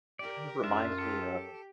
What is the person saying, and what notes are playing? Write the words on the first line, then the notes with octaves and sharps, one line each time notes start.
It kind of reminds me of
G4 A#4 D5
F#2 D4 F4 E5
G4 A4